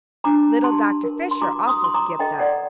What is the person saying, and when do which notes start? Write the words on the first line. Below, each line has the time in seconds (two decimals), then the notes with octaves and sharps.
Little Dr. Fisher also skipped up.
0.24 D4 A#5 D6
0.64 G4 A5 C6
1.04 A#4
1.31 C6
1.41 F#4 A#5 D6
1.67 C6 D#6
1.81 F#4 C6
1.94 A#5 D6
2.19 A4 D#5 G5
2.39 D5 F#5